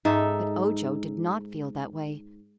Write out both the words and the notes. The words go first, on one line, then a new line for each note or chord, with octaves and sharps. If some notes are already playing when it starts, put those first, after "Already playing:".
But Ojo did not feel that way.
G#2 D#4 A4 E5